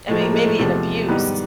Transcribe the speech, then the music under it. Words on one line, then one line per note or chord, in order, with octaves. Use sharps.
I mean, maybe an abuse.
A2 F3 G#3 A3
A#3
G#3
A3
E2 C3 F3 G#3
G#2 D#3 G3 B3